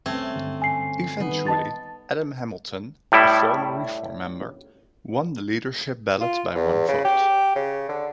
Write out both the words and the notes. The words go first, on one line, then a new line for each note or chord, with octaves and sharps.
Eventually, Adam Hamilton, a former Reform member, won the leadership ballot by one vote.
C2 G3 A3 C4 C#4 G#6
G2 D3 G3
G#5 C7
D#3 G3 B3 D#4
D#5 A5 A6
A2 G3 E4
F4
E2
C#3
G4
C#3
D3